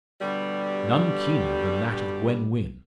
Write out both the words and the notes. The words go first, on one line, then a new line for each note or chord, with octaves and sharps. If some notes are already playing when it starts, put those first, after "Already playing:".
None keener than that of Gwen Wynn.
B2 D3 G3